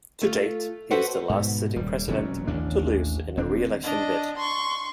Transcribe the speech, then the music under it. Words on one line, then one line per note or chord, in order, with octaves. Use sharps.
To date, he is the last sitting president to lose in a re-election bid.
A3 F4
F#4 A4 B4 C5 E5 F#5
G#2 B2
D#1 G3
E1 A#2 F#3 C#4
A1 D#2 D4
D#1 C4 D4
D4 D#5
C6 C#6